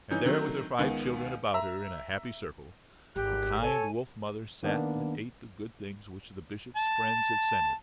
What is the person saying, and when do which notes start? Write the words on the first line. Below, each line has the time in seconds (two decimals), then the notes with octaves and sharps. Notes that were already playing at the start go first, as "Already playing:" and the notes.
And there, with her five children about her in a happy circle, the kind wolf-mother sat and ate the good things which the Bishop's friends had sent him.
0.11 E3 C#4 D#4 G6
0.25 D3 D#3 F#3 A3 C4
0.79 C#2 D#3 B3
1.54 E5 A#5 E6
3.16 G#1 G4 F#6
3.61 A4 C#5 G#5
4.63 D#3 A#3 B3 D4
6.76 A5